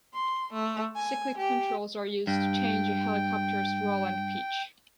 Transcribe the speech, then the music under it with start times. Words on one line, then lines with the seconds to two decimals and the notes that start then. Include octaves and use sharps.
Cyclic controls are used to change a helicopter's roll and pitch.
0.14 C6
0.53 A3
0.96 G#5
1.37 G4
2.27 G2 G5